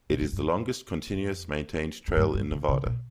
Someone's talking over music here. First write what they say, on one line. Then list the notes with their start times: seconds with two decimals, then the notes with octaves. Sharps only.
It is the longest continuous maintained trail in Nevada.
0.10 A#2
0.21 G#2
0.33 G2
0.44 F2
1.13 F2
2.08 F2
2.17 G2
2.34 G2
2.51 C#3
2.69 C#3
2.86 A#2